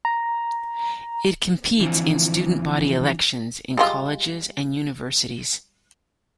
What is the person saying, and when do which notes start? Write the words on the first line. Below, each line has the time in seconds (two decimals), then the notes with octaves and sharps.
It competes in student-body elections in colleges and universities.
0.05 A#5
1.80 D3 E3 F3 C4
3.77 G3 G#3 F4